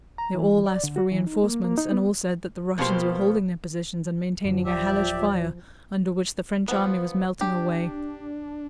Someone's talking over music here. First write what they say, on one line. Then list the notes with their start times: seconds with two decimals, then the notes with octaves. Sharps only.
They all asked for reinforcements and all said that the Russians were holding their positions and maintaining a hellish fire under which the French army was melting away.
0.18 A#5
0.35 E3
0.66 D5
0.84 D3
0.96 F#4
1.12 E3
1.27 D#4
1.44 A#3
1.64 A#3
1.78 D#4
1.92 B3
2.78 B2 F3 A#3 B3 G4 C5
4.45 F#2 D3 F3
4.65 D1 F#3 G4 D5 E5
6.68 F3 B3
7.41 D4 G4